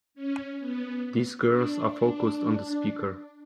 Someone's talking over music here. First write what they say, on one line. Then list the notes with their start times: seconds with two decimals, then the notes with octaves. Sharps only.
These girls are focused on the speaker.
0.14 C#4
0.60 B3
1.47 D4
1.91 D4